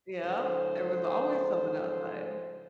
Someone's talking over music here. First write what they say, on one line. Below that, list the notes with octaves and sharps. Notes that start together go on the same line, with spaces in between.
Yeah, there was always someone outside.
G#2 C#3 F3 A4 C5